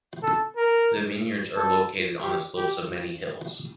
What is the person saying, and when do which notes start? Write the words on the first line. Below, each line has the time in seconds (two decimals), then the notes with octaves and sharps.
The vineyards are located on the slopes of many hills.
0.23 A4
0.57 A#4
1.56 A4
2.22 G4
2.56 G4